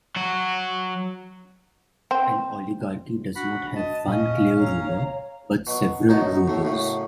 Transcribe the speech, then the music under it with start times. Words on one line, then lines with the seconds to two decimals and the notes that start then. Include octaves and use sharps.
An oligarchy does not have one clear ruler but several rulers.
0.16 F#3 F#4
2.11 C4
3.35 D4 F#4 B5
3.76 D#5 A5
4.08 A#2 C#4 D#5 F5
4.59 C#5 F5 A#5
5.67 B2 F#3
6.09 F#2 F#3 B3 D#4 F#4 A5
6.48 A2 A3
6.63 F#2 A2 C#3